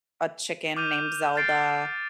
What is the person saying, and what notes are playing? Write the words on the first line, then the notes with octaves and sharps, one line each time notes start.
a chicken named Zelda,
D6 F6 G6 D#7 F7
F6 G6 A6 C7 D7